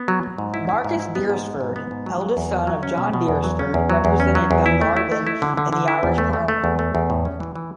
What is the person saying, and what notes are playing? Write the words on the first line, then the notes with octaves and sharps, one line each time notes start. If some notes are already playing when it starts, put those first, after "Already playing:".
Marcus Beresford, eldest son of John Beresford, represented Dungarvan in the Irish Parliament.
Already playing: B3
F#3
F#3
G#2
E4
E4
G#2
E4
B3
G#2
B3
G#2
B3
G#2
F#3
F#3
E2
F#3
F#3
C#4
B2
B2
E2
F#3
C#4
E2
F#3
E2
C#4
F#3
E2
E4
A3
E4
A3
E4
D3
D3
D3
E4
E2
A3
A3
A3
E2
A3
E2
A2
C#4
E3
E3